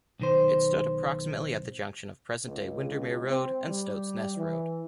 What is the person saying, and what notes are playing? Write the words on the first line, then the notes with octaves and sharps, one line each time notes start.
It stood approximately at the junction of present-day Windermere Road and Stoat's Nest Road.
B1 D#3 C5
C#2
C4
G3
E3